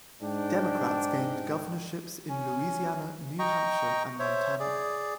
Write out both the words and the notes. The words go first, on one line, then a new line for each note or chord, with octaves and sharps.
Democrats gained governorships in Louisiana, New Hampshire and Montana.
G#2 D4 G5
C#4
D#5 G5 A#5 C#6
C5 C#5 E5
G#4 D5